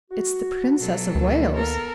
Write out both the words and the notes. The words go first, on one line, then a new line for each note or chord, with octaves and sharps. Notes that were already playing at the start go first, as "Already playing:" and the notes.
"It's the Princess of Wales."
F#4
B2 F#3 A4
D2 D#3 A#3
B3 A4 A#4